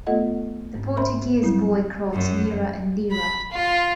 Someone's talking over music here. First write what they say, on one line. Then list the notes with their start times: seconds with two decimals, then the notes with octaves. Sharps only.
The Portuguese boy crawled nearer and nearer.
0.07 A3 B3 F4 A4 D#5 F#5
0.75 G#2 C4
0.97 A#4 C5 E5 B5 C6
1.43 F#3 G3 C4 E4
2.13 F#2
3.11 B5
3.51 F4